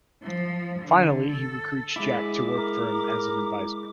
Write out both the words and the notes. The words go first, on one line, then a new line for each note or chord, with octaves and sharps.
Finally, he recruits Jack to work for him as an adviser.
F3
D3
A4
G#3 E4 D6
A#4